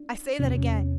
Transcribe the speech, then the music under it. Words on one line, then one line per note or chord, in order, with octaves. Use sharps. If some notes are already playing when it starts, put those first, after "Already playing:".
I say that again.
Already playing: D4
E2 C3 C#4